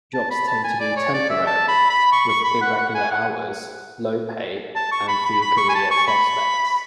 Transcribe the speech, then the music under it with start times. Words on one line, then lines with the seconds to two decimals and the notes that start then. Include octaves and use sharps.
Jobs tend to be temporary, with irregular hours, low pay and few career prospects.
0.14 A5
0.31 B5
0.48 A5
0.64 G#5
0.80 D5
0.97 C#5
1.14 D5
1.30 E5
1.47 A5
1.68 B5
1.90 B5
2.12 C#6
2.29 C#6
2.45 B5
2.61 F#5
2.78 F#5
2.89 F#5
2.95 G#5
3.11 F#5
4.76 A5
4.92 C#6
5.08 B5
5.26 B5
5.42 B5
5.57 C#6
5.69 G#5
5.75 A5
5.91 C#6
6.08 B5